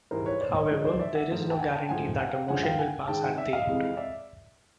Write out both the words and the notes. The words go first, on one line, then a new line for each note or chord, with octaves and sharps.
However, there is no guarantee that a motion will pass at the end.
G#2 E3 G3 A#4 C5
B4 C#5
C5 D5
C#5 D#5
G#2 F3 G#3 C#5 D#5
C5 D5
D5 E5
E5 F#5
G#2 F3 A3
G5 A5
F#5 G#5
G5 A5
G#2 F3 A3 F#5 G#5
F#5 G#5
F5 G5
G2 D3 F3 G#3 F#5 G#5
F5 G5
F#5 G#5
G#2 D#3 G#3 G5 A5
F#5 G#5
D5 E5
D#5 F5
F2 C3 E3 G#3
D5 E5